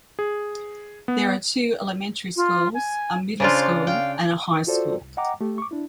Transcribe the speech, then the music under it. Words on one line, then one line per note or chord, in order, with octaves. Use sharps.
There are two elementary schools, a middle school and a high school.
G#4
B3
F4
G#5
C#3 D4 F4 C5
F5 G5
F4 F#4 A4 C5 D5
C2
D#5 F#5 G5 A#5 D6
A3 G4
C#6 D6
D4 E4